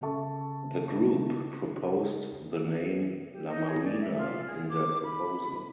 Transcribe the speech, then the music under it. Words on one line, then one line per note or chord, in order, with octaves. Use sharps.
The group proposed the name "La Marina" in their proposal.
C#3 C#4 A4 E5 A5 C#6
G4
D#4
G#4
D5
E5
F4
G#4
D6
B5